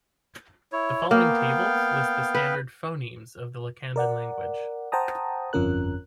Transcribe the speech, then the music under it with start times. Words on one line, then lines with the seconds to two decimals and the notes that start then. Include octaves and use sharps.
The following tables list the standard phonemes of the Lacandon language.
0.72 E4 C#5
1.11 A#3 B3 F5 G5
2.35 B4
3.96 A#4 D5 F#5
4.92 C5 F#5 G5 A5 A#5 D#6
5.53 G1 F2 F3 C#4 A#4 F#6